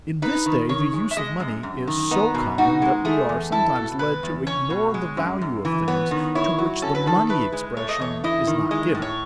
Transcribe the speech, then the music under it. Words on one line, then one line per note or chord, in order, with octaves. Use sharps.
In this day the use of money is so common that we are sometimes led to ignore the value of things to which the money expression is not given.
D#4 B4
D#3
D#3 C#5
G#3
E5
G#3 D#5
F#2
F#2
D#3
B3 D#4
B2
D#4 F#4
G#3
A3 G#4
E2
E4 A4
B2
G#3 B4
E2
C#4 C#5
B2
G#3
F#2
F#2
E3
B3 C#5
D#3
E4 C#5
F#3
C#4 A4
B4
D#3 A4
E4 B4
G#3
A3 C#5
D#5
E2 C#5
E4 D#5
D#3
G#3 D#5
A2
C#5